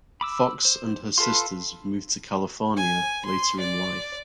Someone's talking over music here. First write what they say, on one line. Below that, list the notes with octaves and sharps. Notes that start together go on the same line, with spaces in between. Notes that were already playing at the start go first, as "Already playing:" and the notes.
Fox and her sisters moved to California later in life.
B5 D6 E6
C5
F4 A4 B4 C6
G#5
C6
D5